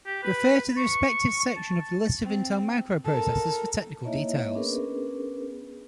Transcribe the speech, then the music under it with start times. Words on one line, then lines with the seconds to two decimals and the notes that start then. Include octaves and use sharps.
Refer to the respective section of the list of Intel microprocessors for technical details.
0.06 G4
0.23 B4
0.77 C#6
1.57 A5
2.23 C4
3.05 A4 A#4
4.04 A#3 D#4 E4 C#5 D#5 E5
4.54 B3 C#4 D4 G#4 A#4 B4